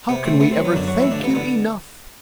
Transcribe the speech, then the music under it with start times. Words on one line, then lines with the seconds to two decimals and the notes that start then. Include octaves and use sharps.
"How can we ever thank you enough?"
0.09 C3 B3
0.25 A3 C4
0.40 A3 B3
0.52 C4
0.57 F#3
0.65 B3
0.72 F#2 D3 D4
0.88 F#3 F#4
1.00 E3 E4
1.04 A2
1.11 D3 D4
1.20 A1 B3
1.35 D3 B3